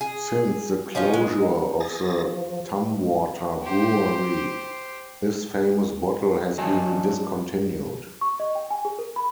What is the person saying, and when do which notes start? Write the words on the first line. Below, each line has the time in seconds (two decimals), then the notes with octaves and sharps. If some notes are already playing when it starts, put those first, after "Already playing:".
Since the closure of the Tumwater brewery, this famous bottle has been discontinued.
0.01 G#4
0.95 F3 C#4 D#4 F4
1.13 G#3
1.80 G#4 A6 A#6
2.22 F3
3.63 G4 C5
6.58 G2 F#3 D#5 E5 G#5 A5
8.21 C#6
8.40 D#5
8.55 G5
8.71 G#5
8.85 G#4
8.99 A#4
9.16 B5